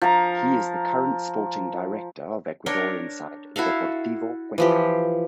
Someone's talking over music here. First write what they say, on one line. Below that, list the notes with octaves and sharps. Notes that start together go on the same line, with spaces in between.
He is the current sporting director of Ecuadorian side Deportivo Cuenca.
F3 A#5
D4 A#4 C#5 G5
E4 F#4 A4 F5
E3 F3 G4